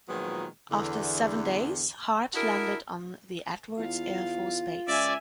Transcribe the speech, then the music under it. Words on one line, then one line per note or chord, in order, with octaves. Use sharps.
After seven days, Hart landed on the Edwards Air Force Base.
A#2 D#3 F3 F#3 G#3 B3
E2 D3
D4 E4 F#4 G#4 A#4
E2 F4 F5
C#2 D5 E5 G#5